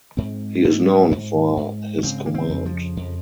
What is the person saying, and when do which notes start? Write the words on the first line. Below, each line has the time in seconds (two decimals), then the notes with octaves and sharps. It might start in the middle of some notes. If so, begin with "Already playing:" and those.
He is known for his command.
0.17 G#2 C4
0.64 G#2
1.11 G#2
1.57 G#2
1.98 C#4
2.03 C#3 C4
2.26 A#3
2.34 C4
2.49 F2
2.66 F3
2.97 F2